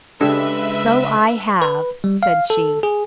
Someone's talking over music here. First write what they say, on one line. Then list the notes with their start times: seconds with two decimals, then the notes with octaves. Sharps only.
"So I have," said she.
0.21 C#3 G#3 D4 G4 A4 B4 E5
1.62 B4
2.04 G3
2.23 F5
2.50 A4
2.83 G#4